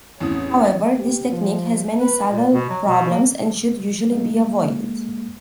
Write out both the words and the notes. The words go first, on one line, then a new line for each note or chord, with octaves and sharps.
However, this technique has many subtle problems and should usually be avoided.
A1 E2 C4 C#4 C#5 D#6
G4
F3
B4
A#2
B2
F#3
B2
A#3
G#3 A#3